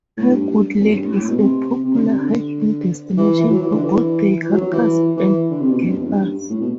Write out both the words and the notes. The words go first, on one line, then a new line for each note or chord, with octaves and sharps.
Packwood lake is a popular hiking destination for both day hikers and campers.
A2
G2
G2
G2
E2
F#2
G2
A2
A2
B2
C3
C3
D3
C3
D3
E3
E3
F#3
E3
D3
E3
E3
F#3
F#3
E3
E3
D3
C3
B2
G2
F#2
E2
F#2
G2
A2
B2